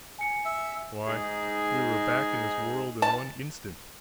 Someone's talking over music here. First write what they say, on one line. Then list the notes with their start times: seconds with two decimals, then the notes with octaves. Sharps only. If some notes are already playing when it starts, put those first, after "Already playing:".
Why, we were back in this world in one instant!
0.19 G#5 C#7
0.45 E5
1.07 G#2 D#4 G#4
3.02 A5